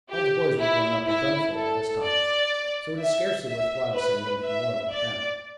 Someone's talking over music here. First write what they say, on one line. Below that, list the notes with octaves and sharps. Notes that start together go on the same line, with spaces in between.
All the boys were grown up and done for by this time; so it is scarcely worth while saying anything more about them.
G4
E4
E4
A4
D5
E5
E5
B4
E5
D5